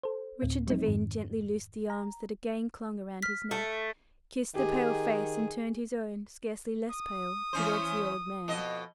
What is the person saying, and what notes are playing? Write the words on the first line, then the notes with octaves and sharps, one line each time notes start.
Richard Devine gently loosed the arms that again clung around his neck, kissed the pale face, and turned his own--scarcely less pale--towards the old man.
A4 C5
D2 A2 C4
F3 F#3 G#3 C4 D#4
F2 G#2 D#3
A#5
F6 B6
A3
D#3 G4 G#4
D#6
E3 C#4 C5
F2 B2 D#5